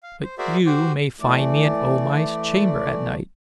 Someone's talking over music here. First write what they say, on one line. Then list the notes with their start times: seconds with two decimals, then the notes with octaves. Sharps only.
But you may find me in O-Mai's chamber at night.
0.03 F5
0.23 C5
0.38 F#4 G#4 A#4 C5 D5 E5
0.66 F#4 G4 C5
1.20 E3 A3 D5